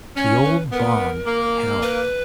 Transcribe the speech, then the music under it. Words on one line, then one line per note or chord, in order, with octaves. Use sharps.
The old bond held.
C#4 C#5
B4
B3 A#4
A#3
B4